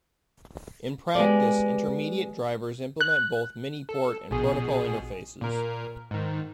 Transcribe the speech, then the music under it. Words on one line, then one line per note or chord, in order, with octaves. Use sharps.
In practice, intermediate drivers implement both miniport and protocol interfaces.
G#3 B3 G4 D5
F#6
A4
A#1 B2 G#4
A#2 A#4
G#2 D#3